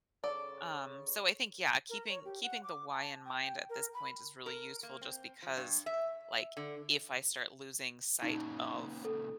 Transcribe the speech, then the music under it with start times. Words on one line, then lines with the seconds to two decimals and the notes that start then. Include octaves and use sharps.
um, so I think, yeah, keeping keeping the why in mind at this point, is really useful just because, like, if I start losing sight of
0.24 C#3 A4 D5
1.89 A#4
2.09 C#5
2.25 G4
2.43 F#5
2.63 D6
2.92 A5
3.25 G5
3.70 A#4
3.94 B5
4.46 A#4
4.83 A#3
5.02 C4
5.42 F3
5.57 G2
5.86 E5
6.57 D3
8.22 A#2 C#3 D#4
9.05 A4